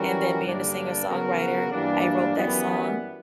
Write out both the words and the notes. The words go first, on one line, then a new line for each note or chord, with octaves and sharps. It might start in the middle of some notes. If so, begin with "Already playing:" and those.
And then being a singer-songwriter, I wrote that song.
Already playing: E3 G3 C#4 F#4 A#4
G2 D3 G3 A#3 D4
C#3 F#3 B3 F#4 A#4
G2 E3 G3 A#3 D4
F#2 E3 G3 B3